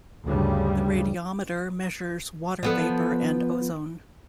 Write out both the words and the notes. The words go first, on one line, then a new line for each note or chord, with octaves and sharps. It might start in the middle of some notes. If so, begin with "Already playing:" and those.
The radiometer measures water vapor and ozone.
D2 G2 C#3 G3
F3 B3 A4